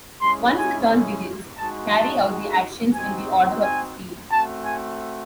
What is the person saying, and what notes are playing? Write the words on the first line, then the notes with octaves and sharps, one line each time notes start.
Once the turn begins, carry out their actions in the order of their speed.
G#3 C#4 E4 C6
G#5
G#3 D#4 F#4 A5
A5
C4 D#4 F#4 G#5
G#5
A3 C4 F#4 A5
G#5